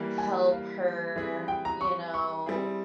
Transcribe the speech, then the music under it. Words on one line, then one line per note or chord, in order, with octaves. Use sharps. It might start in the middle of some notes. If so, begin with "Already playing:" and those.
help her, you know,
Already playing: E3 G3 A#3
G#5
F5
E3 G3 C4 E4 G#4
G5
A#5
C#6
C#6
G3 C4 E4 G#4